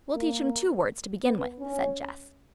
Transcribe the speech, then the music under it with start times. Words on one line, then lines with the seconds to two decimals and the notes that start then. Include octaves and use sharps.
"We'll teach him two words to begin with," said Jess.
0.15 A#3
1.24 B3
1.60 C#4